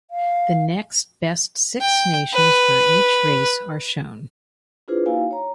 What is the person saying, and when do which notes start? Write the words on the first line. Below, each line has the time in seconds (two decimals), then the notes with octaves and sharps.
The next best six nations for each race are shown.
0.11 F5
1.81 G5
2.33 B4
4.88 D4 E4 F4 G#4 B4 C5
5.06 A#3 D#4 E4 F#4 F5 G#5
5.31 C#5 A#5